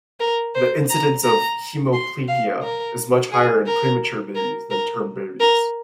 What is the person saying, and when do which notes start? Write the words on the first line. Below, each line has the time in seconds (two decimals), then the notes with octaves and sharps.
The incidence of hemiplegia is much higher in premature babies than term babies.
0.20 A#4
0.55 C5
0.89 A#5
1.24 A#5
1.93 C6
2.28 F5
2.63 A#4
3.32 G#4
3.66 A#4
4.35 A#4
4.70 A#4
5.40 A#4